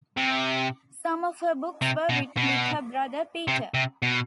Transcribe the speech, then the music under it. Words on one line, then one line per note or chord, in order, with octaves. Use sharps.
Some of her books were written with her brother Peter.
C3
C3
B2
B2
C3
C3
B2